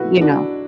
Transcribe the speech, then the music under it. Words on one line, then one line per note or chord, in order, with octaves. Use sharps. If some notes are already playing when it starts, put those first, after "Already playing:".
you know,
Already playing: B1 B2 F#3 E4 F#4 A4 B4
D4 F#4